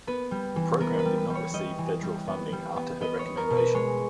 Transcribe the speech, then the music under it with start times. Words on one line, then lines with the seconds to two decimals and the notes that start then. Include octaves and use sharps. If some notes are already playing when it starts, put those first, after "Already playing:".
The program did not receive federal funding after her recommendation.
0.07 B3 B4
0.31 G3
0.56 E3
0.80 B3 A#4
0.99 B4
1.05 G3
1.18 B4
1.30 G3
1.35 C#5
1.54 G3 D#5
1.78 E3
2.03 G3
2.27 B3
2.52 G3
2.76 B3
3.01 B3 D#5
3.19 C#5
3.26 B3
3.37 A#4
3.50 B2
3.57 B4
3.74 G#3 C#5